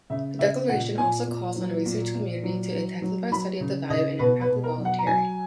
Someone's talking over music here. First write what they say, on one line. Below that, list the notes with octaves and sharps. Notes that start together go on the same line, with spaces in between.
The declaration also calls on the research community to intensify study of the value and impact of volunteering.
C#3 E5
C#3 E5
A#2 F#5
A#2 G#5
A#2
F#3
A#2
A#2
F#3
F#3
F#3
F#3 B5
C#3
C#3 D#5
B2 B4
B4
B2
A#4
F#3
F#5
A#5
F#3 G#5